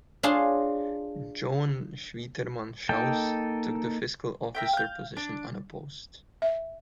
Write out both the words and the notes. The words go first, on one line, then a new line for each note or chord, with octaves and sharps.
Joan Schwieterman Shouse took the Fiscal Officer Position Unopposed.
D4 F4 G#4 C#5 A5 C6
A#3 D#4 A4 G5
A#4 E5 G5
F5 G6
D4
E5